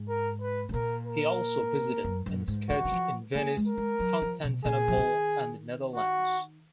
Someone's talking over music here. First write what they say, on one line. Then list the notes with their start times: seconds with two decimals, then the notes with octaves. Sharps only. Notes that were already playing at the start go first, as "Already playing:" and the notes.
He also visited and sketched in Venice, Constantinople and the Netherlands.
Already playing: G#2
0.08 A#4
0.41 B4
0.69 G#2
0.74 A#2 A#4
1.06 A#4
2.05 F#2
2.26 F#2
2.48 G#2
2.69 D#3 F#4
2.85 D#3
2.92 F3
3.35 A#3 G#4
3.57 G#3
3.67 A#4
3.78 G#3
4.00 F#3
4.22 F3
4.43 B2
4.65 A#2 G#4
4.88 F3
4.98 D#3
5.95 F#4